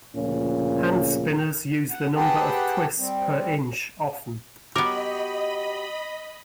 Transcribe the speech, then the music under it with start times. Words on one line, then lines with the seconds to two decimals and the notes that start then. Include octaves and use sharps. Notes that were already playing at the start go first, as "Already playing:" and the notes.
Handspinners use the number of twists per inch often.
0.15 D2 A#2 C#3 F3 C#4
1.91 F#5
2.16 G4 G#4 B4 F#5 G5 A5
2.98 G3 C4
4.76 B3 F#4 G4 A#4 C#5 D#5 B5 D6